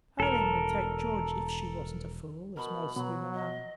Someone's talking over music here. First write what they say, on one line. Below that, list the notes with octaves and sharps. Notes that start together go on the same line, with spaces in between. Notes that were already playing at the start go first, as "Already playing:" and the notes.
Aileen would take George if she wasn't a fool, as most women are.
E1 A4 A#4
B2 A#4 B5
B2 F#3 B3
D#5